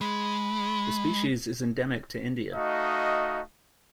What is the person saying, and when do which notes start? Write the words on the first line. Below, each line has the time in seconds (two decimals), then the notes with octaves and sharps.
The species is endemic to India.
0.01 G#3 B5
2.52 A3 D#4 F#4 D#5 F5